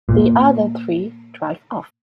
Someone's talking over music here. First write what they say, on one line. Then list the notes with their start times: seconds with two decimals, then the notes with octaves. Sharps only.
The other three drive off.
0.09 A#2